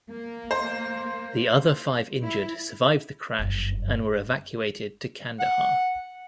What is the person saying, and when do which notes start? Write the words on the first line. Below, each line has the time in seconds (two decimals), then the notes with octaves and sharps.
The other five injured survived the crash and were evacuated to Kandahar.
0.11 A#3
0.51 C5
2.22 E4
3.39 F#1 G2
5.40 F#5